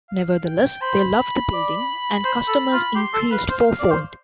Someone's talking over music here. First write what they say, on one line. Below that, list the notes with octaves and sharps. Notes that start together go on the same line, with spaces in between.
Nevertheless, they loved the building and customers increased fourfold.
F5
G5
C5 B5
D5
C5
A4
F4
G4 C6
A4
B4 F5
C5
F5
D5
C5